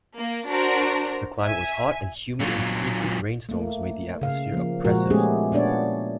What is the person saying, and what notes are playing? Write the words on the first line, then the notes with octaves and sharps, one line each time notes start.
The climate was hot and humid and frequent rainstorms made the atmosphere oppressive.
A#3
D4 F#4 A#4 C5 A#5 D7
E5 G#5
A#2 F#3
A3 A#3
C#3 F5
F3 A#3
A#2 F3 G#3 F#4 A#4
G#3 A3 B3 C#4 G4 G#4
A#2 A#3 B3 D4 C#5 D5